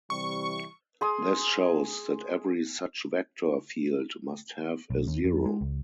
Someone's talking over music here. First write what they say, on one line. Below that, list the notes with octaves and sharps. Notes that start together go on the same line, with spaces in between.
This shows that every such vector field must have a zero.
C3 E3 G3 C#6
G#4 C6 D#6
B1
D#2
F2
G#3
C#2